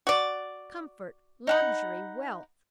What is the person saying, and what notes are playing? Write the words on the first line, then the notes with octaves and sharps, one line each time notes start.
Comfort, luxury, wealth!
F#4 D5
D#4 F#5 B5